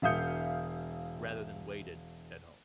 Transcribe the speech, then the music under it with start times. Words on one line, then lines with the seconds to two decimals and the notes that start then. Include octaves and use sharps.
rather than waited at home?
0.02 E1 E5 F5 D#6 G6 C#7